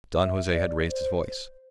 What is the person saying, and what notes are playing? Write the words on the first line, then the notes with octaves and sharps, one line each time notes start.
Don Jose had raised his voice.
E5
D5
C5